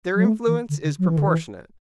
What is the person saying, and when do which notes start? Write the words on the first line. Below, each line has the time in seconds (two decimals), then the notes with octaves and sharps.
Their influence is proportionate.
0.15 F#3
0.25 A3
0.47 E3
0.69 D3
0.83 D3
0.98 F#3
1.08 E3
1.17 D3
1.27 E3